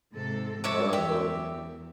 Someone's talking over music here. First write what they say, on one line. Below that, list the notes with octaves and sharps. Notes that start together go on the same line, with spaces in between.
Oh, that's brutal.
G#2 C3 A4
G#3 C#5 E5 D6
E2 G4 E5